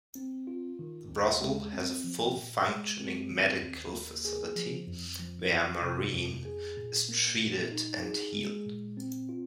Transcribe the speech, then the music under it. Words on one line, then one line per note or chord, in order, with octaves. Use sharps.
Her brothel has a fully functioning medical facility, where Maureen is treated and healed.
C4
F4
D#3
D#2
G#3
C4
F3
A#2
G#3
C4
D#3
D#2
A#3
G#4
F3
F2
F3
F2
C3
F2
G#4
A#2
A#3
A#2
D#4
G#4
G#3
A#2
C4
F4